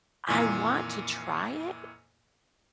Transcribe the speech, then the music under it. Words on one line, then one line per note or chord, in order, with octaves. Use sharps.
I want to try it,
F2 A#2 D#3 E3 G#5 B6